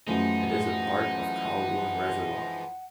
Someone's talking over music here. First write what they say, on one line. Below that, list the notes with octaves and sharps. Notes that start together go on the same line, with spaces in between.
It is a part of Kowloon Reservoir.
F#2 E3 F3 G#3 A3 D#4 F#5